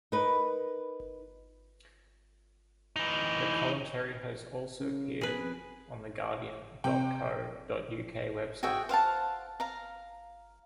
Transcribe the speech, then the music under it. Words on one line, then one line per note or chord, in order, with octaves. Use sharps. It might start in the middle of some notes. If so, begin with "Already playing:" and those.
Her commentary has also appeared on the guardian dot co dot uk website.
D#4 A#4 B4
E3 D#4
C#3
B2 G#4 B4
F2
C3 G5
F#4 G#4 E5 G5
C5 F5 F#5 A5
F5 A#5